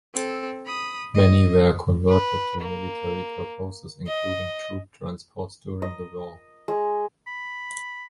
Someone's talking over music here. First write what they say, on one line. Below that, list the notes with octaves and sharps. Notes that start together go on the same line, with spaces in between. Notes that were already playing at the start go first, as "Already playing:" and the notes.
Many were converted to military purposes including troop-transports during the war.
C4 A4
B5 D#6
D#5
B4
A#3
D#5
D#5
G#3
B5